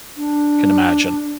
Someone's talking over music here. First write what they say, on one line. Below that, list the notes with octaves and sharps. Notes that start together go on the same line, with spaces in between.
Can imagine.
D4